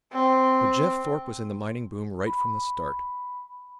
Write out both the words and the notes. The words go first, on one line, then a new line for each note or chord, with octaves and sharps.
But Jeff Thorpe was in the mining boom right from the start.
C4
B5